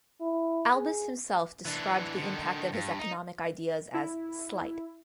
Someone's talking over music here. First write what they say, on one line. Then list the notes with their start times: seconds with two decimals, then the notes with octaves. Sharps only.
Albus himself described the impact of his economic ideas as "slight".
0.21 E4
0.74 G#4
1.65 E3 D4
2.17 D3 D#3
2.73 G2
2.99 D#4
3.94 E4